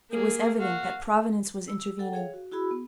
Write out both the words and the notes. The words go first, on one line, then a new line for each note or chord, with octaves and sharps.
It was evident that Providence was intervening.
A#3 G#4
F#4 F5
E6
A4 F#5 G5
G#4 C#5 F5
F#4
E4 F#4 G#4 B5 E6
B3